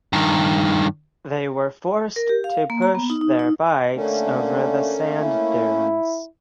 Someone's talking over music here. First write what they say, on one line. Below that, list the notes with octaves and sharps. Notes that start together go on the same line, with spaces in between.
They were forced to push their bikes over the sand dunes.
G2 D#3
A#4
G4
F5
A#3
A#5
B3
D#4
D#4
D#4
D3 A3 A#3 C#4
E4